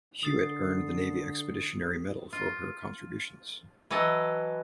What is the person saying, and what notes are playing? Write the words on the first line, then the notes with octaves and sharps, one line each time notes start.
"Hewitt" earned the Navy Expeditionary Medal for her contributions.
D3 D#6 A6 C7
F4
E3 F#3 A4 D#5